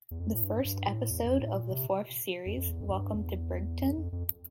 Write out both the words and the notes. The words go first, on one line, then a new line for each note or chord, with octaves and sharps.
The first episode of the fourth series, Welcome To Brighton?
E2
F2
A2
G2
G2
A2
E2
F2
A2
A#2
C3
F2
F2
E2
F2
G2
E2
F2
F2
F2